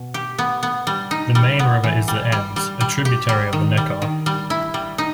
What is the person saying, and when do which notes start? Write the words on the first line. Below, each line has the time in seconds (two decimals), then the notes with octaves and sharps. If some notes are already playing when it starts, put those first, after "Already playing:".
The main river is the Enz, a tributary of the Neckar.
Already playing: B2
0.14 G4
0.38 B3
0.63 B3
0.87 G3
1.11 D#4
1.35 G3
1.59 B3
1.84 E3
2.08 G3
2.32 G3
2.56 G3
2.81 G3
3.05 G4
3.29 G3
3.53 D#3
3.77 G3
4.02 D#3
4.26 G3
4.50 E4
4.74 G3
4.98 D#4